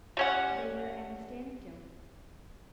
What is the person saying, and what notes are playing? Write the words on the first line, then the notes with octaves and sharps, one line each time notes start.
They were at a standstill.
G3 C#4 F#5